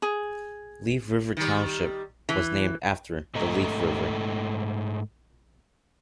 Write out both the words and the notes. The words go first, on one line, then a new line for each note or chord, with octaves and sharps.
Leaf River Township was named after the Leaf River.
G#4
D#3 G3
E3
G#2 A3 A4 D#5 A#5